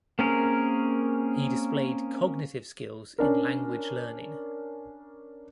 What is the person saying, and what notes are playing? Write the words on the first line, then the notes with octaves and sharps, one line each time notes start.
He displayed Cognitive skills in language learning.
A#3 C4 C#4 G#4 A#4
C#4 D4 A#4